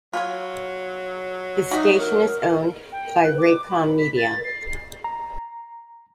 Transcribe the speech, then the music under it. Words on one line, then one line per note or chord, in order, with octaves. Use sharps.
The station is owned by Raycom Media.
F#3 F4 B4 C#5
D#4 F#4 D5 E5
A#4
G5
F#6
D6
B5
B6
A6
C7
A#5